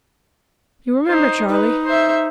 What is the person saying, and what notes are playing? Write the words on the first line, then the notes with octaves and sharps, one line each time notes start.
You remember, Charley?'
D#4 C5
D#4 B4
C5 E5